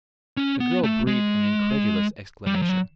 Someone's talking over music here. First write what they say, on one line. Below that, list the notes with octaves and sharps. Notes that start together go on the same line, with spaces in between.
The girl breathed an incredulous exclamation.
C#4
B3
A3
G#3
G3
F#3
F3
F#3